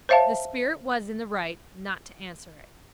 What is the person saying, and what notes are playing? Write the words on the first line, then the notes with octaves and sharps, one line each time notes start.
The spirit was in the right not to answer it.
C5 C#5 E5 F5 A5